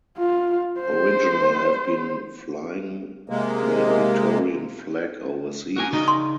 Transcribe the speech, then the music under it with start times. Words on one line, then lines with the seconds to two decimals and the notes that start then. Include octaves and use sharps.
Original have been flying the Victorian flag overseas.
0.18 F4
0.81 C5
3.30 C3 G#3 A#3
5.76 F#4 A#4 G#5
5.93 C#3 D#4
6.08 C6